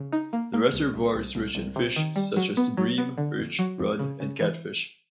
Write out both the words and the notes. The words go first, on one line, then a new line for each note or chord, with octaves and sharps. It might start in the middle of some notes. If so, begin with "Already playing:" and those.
The reservoir is rich in fish such as bream, perch, rudd, and catfish.
Already playing: C#3
D#4
A#3
A#3
C2
C2
C2
C2
C2
C3
D#3
G3
F#3
B3
F#3
B3
D3
F2
F#3
F2
C#3
C#3
E3